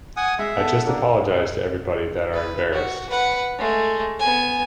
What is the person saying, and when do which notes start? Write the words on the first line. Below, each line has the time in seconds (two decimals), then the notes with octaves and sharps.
I just apologize to everybody that are embarrassed.
0.17 F#5 G#5 D#6
0.39 G#3 E5
0.56 B3 A4
0.86 A#3 D4
2.33 B4
2.73 F#4
3.10 B4 F#5
3.59 G#3 A3
4.19 B3 G#5